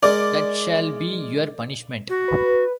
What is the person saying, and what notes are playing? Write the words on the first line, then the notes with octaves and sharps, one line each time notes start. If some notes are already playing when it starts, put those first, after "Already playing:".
That shall be your punishment.
G#3 A#4 D5
F#4
B4